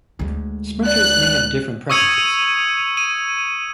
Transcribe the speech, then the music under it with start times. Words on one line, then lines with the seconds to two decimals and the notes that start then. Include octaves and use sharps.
Sprinters may have different preferences.
0.19 D2 G#3
0.85 D5 F#6
1.90 C#6 D#6 E6 G#6 C#7 D#7
2.97 D#7